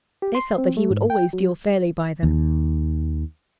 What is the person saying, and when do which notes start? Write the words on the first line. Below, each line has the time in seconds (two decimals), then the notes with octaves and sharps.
They felt that he would always deal fairly by them.
0.22 G4
0.35 C6
0.58 C4
0.77 A3
0.90 G#2
1.10 G5
1.33 F#3
2.23 D#2